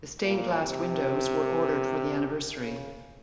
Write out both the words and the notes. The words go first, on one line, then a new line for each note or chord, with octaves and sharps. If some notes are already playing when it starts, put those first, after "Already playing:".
The stained glass windows were ordered for the anniversary.
A#2
C3
C#3